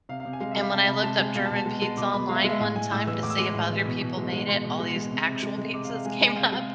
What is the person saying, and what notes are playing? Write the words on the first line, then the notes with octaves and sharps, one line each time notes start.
And when I looked up German pizza online one time to see if other people made it, all these actual pizzas came up.
C3 F5
F5
C3
G#5
G#3 F5
E5
G#3 F5
C3 A5
C3 B5
G#3 A5
G#3 G#5
B2 F5
A5
B2
A5
G#3
G#3 A5
B2 D6
B2 B5
G#3 F5
E5
F5
G#3
E5
A2 F5
G#3 G#5
A2 E6
E3 E6
A2 D6
E6
G#3 D6
A2
E3
B2
B2
G#3
G#3
B2 C6
B2
G#3
G#3
C3
C3
G#3
G#3
C3 D6
F5
C3
F5
G#3 G#5
G#3 G#5
C3 F5
G#3 F5